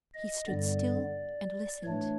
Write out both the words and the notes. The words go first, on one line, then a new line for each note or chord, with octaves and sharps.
He stood still and listened.
D#5
G2 D3 G3 B3 D5
A2 E3 A3 D4 C#5